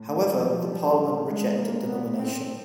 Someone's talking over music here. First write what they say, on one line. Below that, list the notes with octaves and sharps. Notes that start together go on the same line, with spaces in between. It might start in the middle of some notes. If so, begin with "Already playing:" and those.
However, the parliament rejected the nomination.
Already playing: A2
F3
A2 G3
G3
G#3
A#3
A2 B3
C4